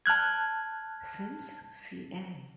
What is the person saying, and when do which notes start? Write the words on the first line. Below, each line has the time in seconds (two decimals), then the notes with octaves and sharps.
Since ca.
0.06 A5 F6 F#6 G#6